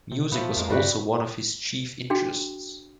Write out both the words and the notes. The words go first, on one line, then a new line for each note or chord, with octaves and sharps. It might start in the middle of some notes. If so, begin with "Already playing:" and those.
Music was also one of his chief interests.
C3
A#2 F3 A3 B3
F2 G#3 A#3
G2 G3 F#4 B4
D4 F#4 G#4 G5